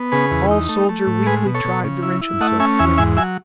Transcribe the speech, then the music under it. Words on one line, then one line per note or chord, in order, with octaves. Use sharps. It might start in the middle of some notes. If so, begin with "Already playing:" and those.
The tall soldier weakly tried to wrench himself free.
Already playing: B3
C#3 G#4 B4
E2
D#4
A3
A3
A2
G#3 G#4 B4
B2
A4 C#5
B2
C#3
E4
E4
A3 D#5 F#5
C#4 E5 G#5
E2 E5 G#5
G#2 E5 G#5
F#3 E5 G#5